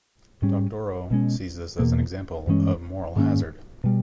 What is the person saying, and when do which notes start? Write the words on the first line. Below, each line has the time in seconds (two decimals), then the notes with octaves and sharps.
Doctorow sees this as an example of moral hazard.
0.42 G#2 G3 C#4
1.11 B2 G#3 C#4
1.79 E2 B2 A#3
2.47 G2 E3 G#3 C#4
3.16 G#2 D#3 A#3 C#4
3.84 B2 G3